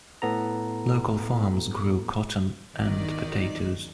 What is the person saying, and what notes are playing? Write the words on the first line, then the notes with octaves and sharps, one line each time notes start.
Local farms grew cotton and potatoes.
A2 B3 A4 A#5
G#1 E2 D#3 D#4 D5 D#5